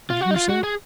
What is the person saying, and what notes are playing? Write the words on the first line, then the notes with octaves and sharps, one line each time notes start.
"What did you say?"
F4
F#4
D#4
F4
F#4
G#4